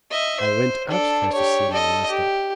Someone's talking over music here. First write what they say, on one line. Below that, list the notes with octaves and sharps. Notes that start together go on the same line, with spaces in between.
I went upstairs to see my master.
D#5 E5
C5
D4 A4
G4 C#5
A4 D#5
G4